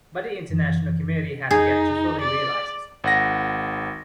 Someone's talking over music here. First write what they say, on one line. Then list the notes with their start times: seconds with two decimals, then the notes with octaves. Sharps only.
But the international community has yet to fully realize it.
0.50 F#2 E3
1.51 F2 D#4 G#4 G6
2.22 D5
3.04 G#1 F#5 A#6